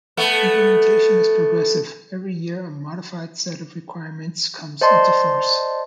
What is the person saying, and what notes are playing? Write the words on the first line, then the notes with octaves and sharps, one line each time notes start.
Implementation is progressive, every year a modified set of requirements comes into force.
A3 B3
C5 D5 D#5 A5 C6